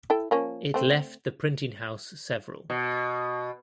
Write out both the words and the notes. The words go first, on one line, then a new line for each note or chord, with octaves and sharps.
It left the printing house several.
E4 A4 G5
F3 A#3 C#4
A3 C4
B2